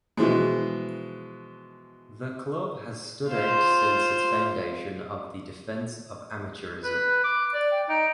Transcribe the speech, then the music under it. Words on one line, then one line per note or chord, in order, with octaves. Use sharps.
The club has stood out since its foundation of the defense of amateurism.
B2 E3 F3 G#3
F4 C5
B4 F#6
D6
D5
G5
D#4 D7